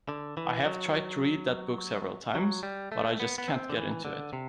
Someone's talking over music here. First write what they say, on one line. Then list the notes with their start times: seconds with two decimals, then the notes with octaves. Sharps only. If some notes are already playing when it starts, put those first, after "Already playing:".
I have tried to read that book several times, but I just can't get into it.
0.09 D3
0.37 E3
0.65 F#3
2.35 F#3
2.63 G3
2.92 A3
3.20 B3
3.38 B3
3.48 C4
3.70 D3
3.77 E3
4.05 D3
4.33 C3